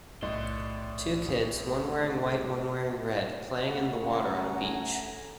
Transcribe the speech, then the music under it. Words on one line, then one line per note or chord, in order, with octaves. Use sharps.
Two kids, one wearing white one wearing red, playing in the water on a beach.
B1 A2 D5 D#5 C6
C#3 A3 F#5
G#5 A#5